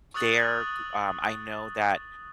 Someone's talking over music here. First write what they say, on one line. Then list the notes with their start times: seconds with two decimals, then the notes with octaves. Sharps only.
they're g um, I know that,
0.14 C#6 D#6 E6 F#6 A6 F#7